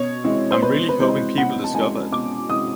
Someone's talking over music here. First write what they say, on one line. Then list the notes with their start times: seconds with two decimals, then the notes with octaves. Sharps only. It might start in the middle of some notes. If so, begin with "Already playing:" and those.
I'm really hoping people discover it.
Already playing: B2 C#5
0.24 G#3 C4 E4
0.51 C5
0.62 B2 B4
0.89 B4
0.99 G#3 C4 E4 C5
1.37 B2 F#5
1.64 A5
1.74 G#3 C4 E4 G#5
2.12 B2 D6
2.49 G#3 C4 E4 D#6